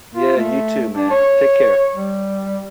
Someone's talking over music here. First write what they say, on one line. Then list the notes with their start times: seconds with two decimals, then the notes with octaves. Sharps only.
Yeah, you too, man. Take care.
0.14 F4
0.37 A3
0.94 D4
1.11 C#5
1.95 G3